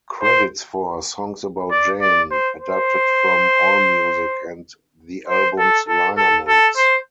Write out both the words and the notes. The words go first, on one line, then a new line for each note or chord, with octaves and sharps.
Credits for "Songs About Jane" adapted from AllMusic and the album's liner notes.
C5
D5
D5
C5
C5
C5
A4
A4
A4
A4
C5